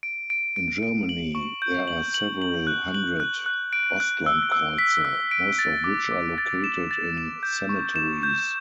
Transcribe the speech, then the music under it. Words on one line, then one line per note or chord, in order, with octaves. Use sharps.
In Germany there are several hundred "Ostlandkreuze", most of which are located in cemeteries.
D7
D7
D7
D7
F#7
C#6
G6
F#7
F#7
F#7
F#6
F#7
F#6
F#6
D7
F#6
E6
E6
B6
E6
D7
A6
D6
D6
A6
E7
A6
E7
G6
C#6
E7
G6